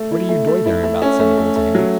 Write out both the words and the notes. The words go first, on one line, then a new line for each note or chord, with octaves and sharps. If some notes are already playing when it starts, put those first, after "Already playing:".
"What are you doitherin' about?" said the bull to him.
Already playing: A3
E4
A3
A3
E4
A3
C#4
A3
A3
A3
F#3